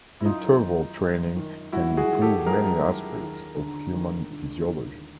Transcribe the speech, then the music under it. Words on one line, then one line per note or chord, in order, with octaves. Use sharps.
Interval training can improve many aspects of human physiology.
E4
F#2 D#4 F4
D#3
F#2
D#3
F#2 E4 F#4
F#4 G#4
D#3
G4 A4
F#2 G#4 A#4
D#3
D#2
D3
D#2
D3
D#2